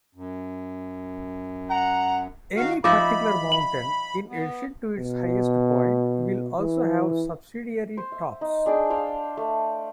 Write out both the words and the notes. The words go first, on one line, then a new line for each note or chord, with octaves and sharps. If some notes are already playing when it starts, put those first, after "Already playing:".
Any particular mountain, in addition to its highest point, will also have subsidiary "tops".
F#2
F#5 A#5
D#3 F#4 F5
F3 D#4 E5 B5 D6
F#7
B3
B2
E3
C5
E5
D#4
D4 G#4 D5 G5
C5 F5 G5 A5
A3